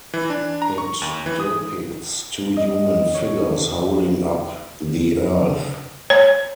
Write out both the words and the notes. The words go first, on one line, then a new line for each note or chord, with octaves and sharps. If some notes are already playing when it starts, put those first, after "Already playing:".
It depicts two human figures holding up the Earth.
E3
D4
A#5
C#6
D#2
E3
D#6
D#5
C#5
C#5